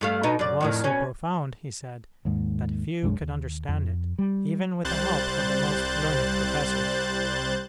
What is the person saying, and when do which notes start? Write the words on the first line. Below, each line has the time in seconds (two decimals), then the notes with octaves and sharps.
It was so profound, he said, that few could understand it, even with the help of the most learned professors.
0.01 G2 A3 F5
0.23 B2 D#4
0.39 F#2 D5
0.61 F2 A2 D#3
0.84 B2 C#4
2.25 D#2 G#2
3.03 B1 F#2 G#3 D4
3.21 D#2
3.69 F2
4.18 G3
4.84 C2 G3 C5 F#6 G6 A6